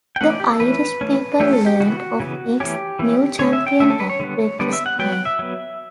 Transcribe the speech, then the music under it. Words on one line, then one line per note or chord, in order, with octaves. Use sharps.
The Irish people learned of its new champion at breakfast time.
G5
E3 A3 C#4 F#5
D5
G4
A4
E3 A3 C#4 B4
E3 A3 C#4
E3 A3 C#4 G4
A4
G4
C#3 E3 B3 F#4
C#3 E3 B3
E3 A3 C#4 G4
E3 A3 C#4
D3 A3 C#4 C#5
E5
G5
D3 A3 C#4 E5
A4
B4
C#5
D3 G3 B3
D3 G3 B3 D5
E5
F#5
F#3 B3 G5
F#5
E5
F#3 B3